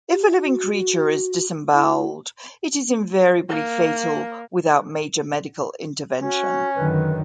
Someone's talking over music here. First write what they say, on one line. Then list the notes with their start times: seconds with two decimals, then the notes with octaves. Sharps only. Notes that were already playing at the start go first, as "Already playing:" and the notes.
If a living creature is disemboweled, it is invariably fatal without major medical intervention.
0.11 G4
0.29 F#4
0.72 F#4
1.74 E4
3.49 A#3
6.22 C#4 F#4
6.75 F#2 D3 D#3 B4